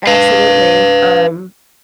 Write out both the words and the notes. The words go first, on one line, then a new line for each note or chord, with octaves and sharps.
Absolutely. Um,
B4 F5